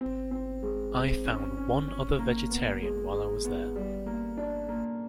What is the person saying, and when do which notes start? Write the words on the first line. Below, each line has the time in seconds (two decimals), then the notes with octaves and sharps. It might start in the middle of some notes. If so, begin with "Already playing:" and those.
I found one other vegetarian while I was there.
0.01 C4
0.31 C4
0.63 G#3
0.94 C4
1.26 C#4
1.57 C#4
1.88 C#4
2.19 A#3
2.51 B3
2.82 G#3
3.13 G#3
3.45 B3
3.76 G3
4.06 A#3
4.37 D4
4.69 A#3